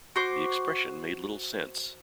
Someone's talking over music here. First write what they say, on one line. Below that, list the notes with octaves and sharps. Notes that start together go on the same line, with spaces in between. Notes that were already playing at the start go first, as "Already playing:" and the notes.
The expression made little sense.
F#4 C5 D6